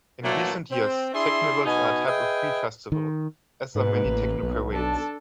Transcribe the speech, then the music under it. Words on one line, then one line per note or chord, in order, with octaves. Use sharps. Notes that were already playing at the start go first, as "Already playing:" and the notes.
In recent years, teknivals are a type of free festival, as are many technoparades.
A#2 D3 E3 F#3 A3 A#3
C4
D4 E4 G#4 E5 C6
B2 D#4 G#5
G#4 B4 D#5 E5 G5
D#3
G#2 A#3 B4
A1
B1
D4 A4